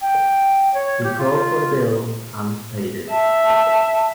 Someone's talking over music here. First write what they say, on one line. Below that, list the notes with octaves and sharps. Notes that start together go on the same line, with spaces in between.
He called for the bill and paid it.
G5
C#5
G4
F4
E5 A5